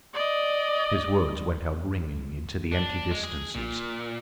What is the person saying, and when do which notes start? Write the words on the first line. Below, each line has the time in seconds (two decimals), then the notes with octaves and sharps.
His words went out ringing into the empty distances.
0.14 D5 D#5
2.72 D4
3.11 G#3
3.24 G#4
3.55 A#2